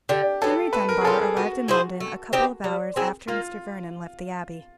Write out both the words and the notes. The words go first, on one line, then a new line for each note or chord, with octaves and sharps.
Henry Dunbar arrived in London a couple of hours after Mr. Vernon left the Abbey.
D3 G4
F#3 B3 A4
A3 B4
A#4
G#4
C#4 F4 A4
G#4
B3 F#4
E4 G#4 C5
A3
C4 D#4 G4
G3
C4 E4 G#4
A#3 F4